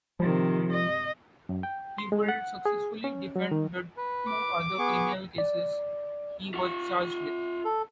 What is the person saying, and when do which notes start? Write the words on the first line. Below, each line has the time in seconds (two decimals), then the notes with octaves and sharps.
He would successfully defend the two other criminal cases he was charged with.
0.20 C3 D#3 F3
0.73 D#5
1.49 F#2
1.63 G5
1.98 C6
2.12 G#3
2.29 F#5
2.66 G#4
3.04 C#4
3.36 F#3
3.51 D#3
3.97 B4
4.29 D6
4.78 B3 G#4 C#6
5.38 D5
6.54 F4 F#5
7.65 A4